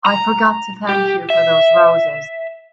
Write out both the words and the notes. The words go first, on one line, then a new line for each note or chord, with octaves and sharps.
I forgot to thank you for those roses.
A#5
G4
E5